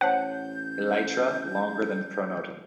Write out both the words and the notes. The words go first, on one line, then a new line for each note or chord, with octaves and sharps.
Elytra longer than pronotum.
A1 C5 C#5 F#5 A5 G6